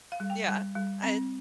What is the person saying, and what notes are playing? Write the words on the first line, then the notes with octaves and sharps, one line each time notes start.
Yeah. I'd
F5
G3
G5
G3
G3
C4